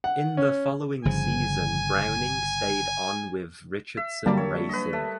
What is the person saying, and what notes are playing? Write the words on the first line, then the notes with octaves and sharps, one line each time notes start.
In the following season Browning stayed on with Richardson Racing.
F#5
C#4
G1 C#3 F3 G#5
E5
D3 F#3 G3 A#3 A5
C#5
B4 D#5
A3